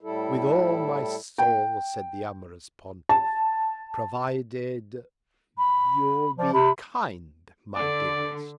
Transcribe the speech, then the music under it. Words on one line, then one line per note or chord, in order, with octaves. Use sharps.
With all my Soul, said the amorous Pontiff, provided----you'll be kind, my dearest.
A2 G3 E4 A4
G5
A5
B5
F3 D5
C3 B5
D3 D5